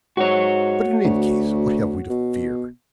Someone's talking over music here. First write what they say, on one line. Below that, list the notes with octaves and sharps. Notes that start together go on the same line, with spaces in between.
But in any case what have we to fear?
G#2 F#4 C#5
D2
B2